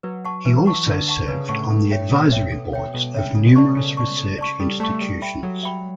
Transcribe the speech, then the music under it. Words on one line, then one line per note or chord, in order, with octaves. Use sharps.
He also served on the advisory boards of numerous research institutions.
F#3 B4
F#5 A5 C#6
E3 B4
F#5 A5 C#6
D3 B4
F#5 A5 C#6
C#3 B4
A2 F#5 A5 C#6
A2 A4
C#5 E5 G5
B2 A4
C#5 E5 G5
A4
C#5 E5 G5
B2 A4
C#3 C#5 E5 G5
C#3 A4
B2
C#3 D5 A5 C#6
C#3 A4
D5 A5 C#6
A4
D5 A5 C#6
G3 A4
A3 D5 A5 C#6
G3 A4
E5 G5 B5
F#3 A4
E5 G5 B5